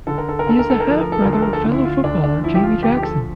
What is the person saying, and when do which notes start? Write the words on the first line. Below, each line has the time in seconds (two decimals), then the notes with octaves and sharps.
He is the half brother of fellow footballer Jamie Jackson.
0.07 D3 A4
0.18 A#4
0.29 A4
0.39 A#4
0.46 D2 A4
0.59 A#4
0.70 A4
0.80 A#4
0.87 F3 A4
1.01 A#4
1.12 A4
1.22 D2 A#4
1.33 A4
1.42 A#4
1.53 A4
1.64 D3
1.73 E4
1.85 F4
2.04 D2 D4
2.24 D4
2.43 F3 E4
2.55 G4
2.63 F4
2.83 D2 G4
2.97 G4
3.03 A4